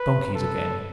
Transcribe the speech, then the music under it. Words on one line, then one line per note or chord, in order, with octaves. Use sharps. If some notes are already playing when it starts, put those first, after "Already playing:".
Donkeys again.
Already playing: B4
A4